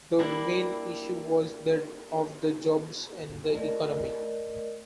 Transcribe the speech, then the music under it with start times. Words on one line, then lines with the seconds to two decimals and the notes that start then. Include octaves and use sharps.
The main issue was that of the jobs and the economy.
0.19 G3 A#3 D4 E4
3.53 A3 A#4 D5 D#5